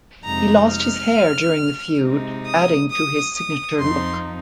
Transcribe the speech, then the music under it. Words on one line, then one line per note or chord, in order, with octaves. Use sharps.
He lost his hair during the feud, adding to his signature look.
F2 C3 G#3 D#4 A#5
F6
C3 G#3 D#4
D#6
D#6
D#6
F2 F3 C4 D#4 C6